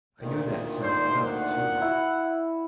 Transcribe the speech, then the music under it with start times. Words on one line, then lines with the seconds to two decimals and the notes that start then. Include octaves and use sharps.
I knew that sound well, too.
0.20 D2 A#2 D#3
0.83 C5 D5 E6
1.25 F#5
1.82 E4 F#4